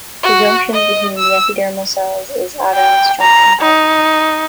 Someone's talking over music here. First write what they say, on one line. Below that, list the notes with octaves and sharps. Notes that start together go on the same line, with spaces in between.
The junctions between the epidermal cells is adherens junction type.
F#4
D#5
E6
G5
A#5
D#4